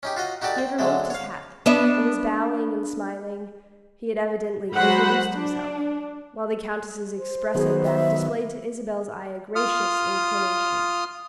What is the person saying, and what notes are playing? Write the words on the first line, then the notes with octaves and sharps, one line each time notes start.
He had removed his hat and was bowing and smiling; he had evidently introduced himself, while the Countess's expressive back displayed to Isabel's eye a gracious inclination.
C#4 D#4 G4
F4 F#4 D#5
D#4 F#4 G4 A4 D5
C4
D3 F#3 G#3 A3
C#5 F5
B3 D4 E5
F#3 G#3 F#4 C5 F#5 B5
D4
C5
D#3 F#3 B3 G#4
E5
F4 D#6 F6